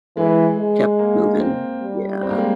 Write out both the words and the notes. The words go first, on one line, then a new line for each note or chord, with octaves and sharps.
kept moving. Yeah.
E3 G#3
G#3
A#3
C4
G3
C4
A#3
G#3